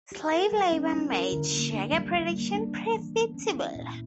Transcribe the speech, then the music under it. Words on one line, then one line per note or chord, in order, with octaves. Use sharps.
Slave labour made sugar production profitable.
G4
A#4
G3
C#4
E4
A#4
D3
A#3
D4
G3
G3
A#3
D4
E3
E3
B3
C#4
E4
A#2